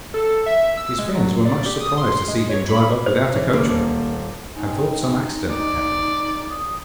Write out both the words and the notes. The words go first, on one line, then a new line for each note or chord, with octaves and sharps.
His friends were much surprised to see him drive up without a coachman, and thought some accident had happened.
A4
E5
E6
G#3
F#3
D5
G4
D#6
C6
G#3
C#5
B5
C5
E3 C#4
G1 A#3
D#1
C3 F#3 G#3 D#4
D5 D#5
D#6